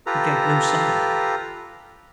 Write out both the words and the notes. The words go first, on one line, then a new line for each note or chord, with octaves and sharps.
He gave no sign.
F4 G4 A4 B4 A#5